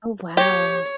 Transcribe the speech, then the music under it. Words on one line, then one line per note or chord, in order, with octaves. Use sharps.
Oh, wow.
G4 C#5